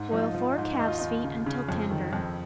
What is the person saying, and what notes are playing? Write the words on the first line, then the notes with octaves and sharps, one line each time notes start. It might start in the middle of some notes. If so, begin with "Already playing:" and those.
Boil four calves' feet until tender.
Already playing: G#2
F3 D#4
F4
F3
D#4
G#2
D#2 D#4
F4
D#2 D#4
C#3
C#3
F2
D#3
F2